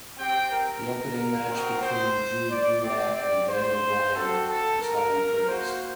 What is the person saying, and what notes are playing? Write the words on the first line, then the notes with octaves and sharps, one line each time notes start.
The opening match between Drew Gulak and Daniel Bryan was highly praised.
C4 G4 G5
A#4
A#4
C4 D#4 F#4
C5
D5
C4 G4 D5
D5
C5
C4 F#4 A4
A4
A#4
A#3 F#4 C5